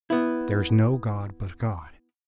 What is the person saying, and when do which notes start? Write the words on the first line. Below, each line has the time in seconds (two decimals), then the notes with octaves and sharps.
There is no god but God.
0.10 B3 E4